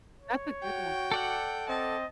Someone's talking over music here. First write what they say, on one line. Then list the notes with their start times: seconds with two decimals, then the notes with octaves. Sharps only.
that's a good one.
0.21 C#5
0.63 F#4 G5
1.11 A4 D5 F#5
1.69 C4 D#5 A5